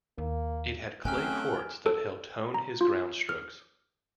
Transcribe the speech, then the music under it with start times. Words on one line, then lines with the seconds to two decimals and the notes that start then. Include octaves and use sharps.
It had clay courts that helped hone his groundstrokes.
0.18 D#2 A#3
1.05 F#3 A3 C4 C#4 G5 G#5 F6 F#6
1.86 A4
2.54 A#5
2.81 F4
3.29 F6